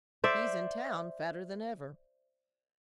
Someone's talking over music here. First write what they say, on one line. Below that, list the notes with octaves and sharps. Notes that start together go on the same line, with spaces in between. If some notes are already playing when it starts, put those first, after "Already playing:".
He's in town, fatter than ever.
C5 D5 E5